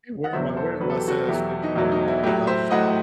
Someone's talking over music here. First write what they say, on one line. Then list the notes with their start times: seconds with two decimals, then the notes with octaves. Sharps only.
"Okay, where am I, where's my satisfaction level at?" and I just like,
0.24 F#5
0.33 E2 B2 F#3 C5 E5
0.56 A4 C5
0.81 E2 B2 F#3 B4
0.90 A4
0.99 G4
1.08 F#4 A4
1.28 E2 B2 F#3 E4 G4
1.63 D#4
1.76 E2 B2 F#3 E4
1.92 D#4
2.08 E4
2.23 A2 F#3 E4 G4
2.47 C5 E5
2.71 A2 F#3 D#5 F#5